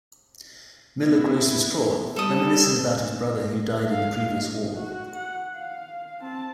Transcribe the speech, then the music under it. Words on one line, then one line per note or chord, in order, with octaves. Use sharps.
Miller grows distraught, reminiscing about his brother who died in the previous war.
B3 E4
G3 A4 D#6
F5
D#4
F#4
F#5
F5
C4 A5